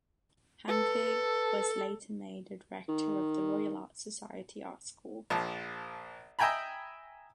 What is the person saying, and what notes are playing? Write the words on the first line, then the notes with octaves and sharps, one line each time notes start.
Hanke was later made a director of the Royal Art Society art school.
A4 B4
D#3
A#1 F3 A5
D#5 E5 G5 G#5 A#5 B5